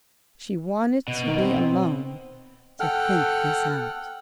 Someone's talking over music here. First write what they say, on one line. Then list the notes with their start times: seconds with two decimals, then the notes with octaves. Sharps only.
She wanted to be alone to think this out.
1.08 B2
1.25 D#3
1.39 C4
2.80 A4 F#5 G5 F6 F#6